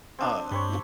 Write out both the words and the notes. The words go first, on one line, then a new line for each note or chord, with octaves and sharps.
Uh, w
C4 D4
G2 G3 C4 C#5